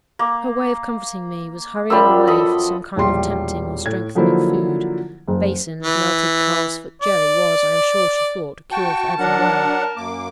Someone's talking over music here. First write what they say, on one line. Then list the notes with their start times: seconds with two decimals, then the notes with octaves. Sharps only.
Her way of comforting me was hurrying away for some kind of tempting or strengthening food--a basin of melted calves-foot jelly was, I am sure she thought, a cure for every woe.
0.19 A#3
1.90 F#2 F3 G3 D5 E6
2.27 A4 D#5 B5
2.96 E1 A#1 G3 C6
3.85 A2 G#6
4.15 D3 F3 F#3 A#3 E4 C5
5.28 F#1
5.83 E3
7.02 D5
8.71 F#4 G5 A5 C#6
9.19 F#3 D4 A#4 F#5
9.97 F#2 A#3 D6